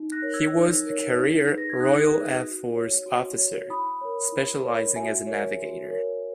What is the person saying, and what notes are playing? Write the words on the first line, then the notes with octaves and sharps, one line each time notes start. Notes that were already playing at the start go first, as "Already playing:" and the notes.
He was a career Royal Air Force officer, specialising as a navigator.
Already playing: D#4
F#6 A#6
A#4 C#5
E6 G#6
D#4
A#4 C#5
D#4
G#4 B4
A#6
G#6
D#4 D#6 F#6
G#4 B4
F#4
C#5
F#4
C#5
E4 B5 D#6
A#4 C#5
E4
A#4 C#5
F#4 E5 G#5
A#4 C#5
F#4
A#4 C#5